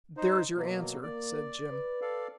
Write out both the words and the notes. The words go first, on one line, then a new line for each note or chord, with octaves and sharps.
"There's your answer," said Jim.
D#4 C5
B2 F#3 A#3
A#3 D5
B4
A4 D5 F5